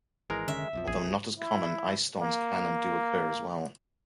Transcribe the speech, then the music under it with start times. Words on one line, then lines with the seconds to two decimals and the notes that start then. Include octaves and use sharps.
Although not as common, ice storms can and do occur as well.
0.30 G#1 E3 G#3 A#4
0.48 F1 D3 D#3 C#4 E5
0.73 B1 F2 F3
0.88 A#1 G#4
1.38 E4
2.19 A#3